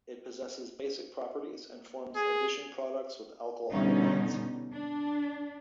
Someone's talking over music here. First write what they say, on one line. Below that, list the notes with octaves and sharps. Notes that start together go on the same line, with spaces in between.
It possesses basic properties and forms addition products with alkyl iodides.
G#4
B2 D3 G3 C#4 D#4
D4